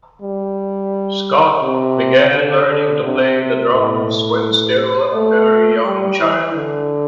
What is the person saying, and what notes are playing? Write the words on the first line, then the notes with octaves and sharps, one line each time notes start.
Scott began learning to play the drums when still a very young child.
G3
C3
D3
D3
C3
A2
A3
G3
E3
D3